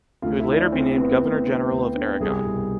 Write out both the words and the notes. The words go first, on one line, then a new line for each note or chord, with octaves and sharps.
He would later be named Governor General of Aragon.
D2 F4
E4
D3
D4
D2 C4
D3 B3
D2
D3
D2
D3
C2 G#4
B2